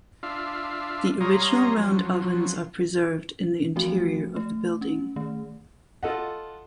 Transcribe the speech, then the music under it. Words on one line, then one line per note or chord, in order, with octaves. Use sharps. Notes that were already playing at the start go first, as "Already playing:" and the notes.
The original round ovens are preserved in the interior of the building.
D4 F4 E5 F5
G3 C#5 F5 A#5 C6 D#6
F3 F#3
E3 F3 A3 C4 F#4
A3
C#4
D#3 A3
F4 A4 D#5 F#5